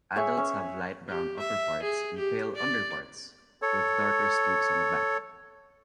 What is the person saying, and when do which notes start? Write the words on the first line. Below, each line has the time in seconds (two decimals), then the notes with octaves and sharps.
Adults have light brown upperparts and pale underparts, with darker streaks on the back.
0.16 G#4 C#5 E5 G#5
0.37 C#4 C#5
1.08 G4
1.39 E5
1.82 G#4
2.17 G4
2.55 D5
3.62 A4 C#5